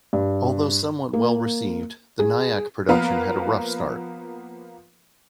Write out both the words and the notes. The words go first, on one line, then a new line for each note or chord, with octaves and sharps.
Although somewhat well received, the Nyack production had a rough start.
G2
A#3
G#4
F3 A#3 B3 A#4 B4 F5